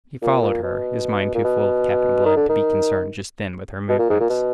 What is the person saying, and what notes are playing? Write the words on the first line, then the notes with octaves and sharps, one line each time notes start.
He followed her, his mind too full of Captain Blood to be concerned just then with her movements.
A#2
A#2
B2
A#2
B2
D#3
D3
D#3
B2
A#2
G#2
A#2
B2